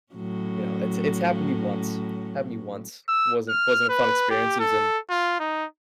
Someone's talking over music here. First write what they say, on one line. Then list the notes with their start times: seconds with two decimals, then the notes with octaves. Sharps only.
you know, it's it's happened to me once, happened to me once, wasn't wasn't a fun experience, it was in
0.13 A2 F#3 C#4
3.08 E6
3.49 F6
3.89 B4
4.30 G4
4.60 A4
5.10 F4
5.39 D#4